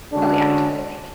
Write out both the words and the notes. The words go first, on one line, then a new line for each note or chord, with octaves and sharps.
Oh, yeah, totally.
D3 G#3 C#4 D4 F#4 A4